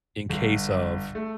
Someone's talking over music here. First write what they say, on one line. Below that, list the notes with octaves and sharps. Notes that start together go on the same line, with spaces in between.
in case of
G1
A3